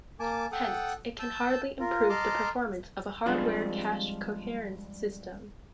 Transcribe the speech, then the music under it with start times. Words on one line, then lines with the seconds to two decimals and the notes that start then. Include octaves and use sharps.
Hence it can hardly improve the performance of a hardware cache coherence system.
0.20 A#3 G#5 A5 D6
0.52 A4 F#5 G5 D#6
1.19 A5 E6 G6
1.80 F4 A#4
2.09 D#5 A5 A#5 C6 D6 F6
3.26 F3 G3 G#3 C4 D4 F4